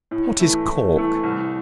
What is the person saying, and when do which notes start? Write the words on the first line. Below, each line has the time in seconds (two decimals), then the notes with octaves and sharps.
What is Cork?
0.11 A2
0.40 E3 A3
0.68 A2
0.96 E3 A3
1.23 C2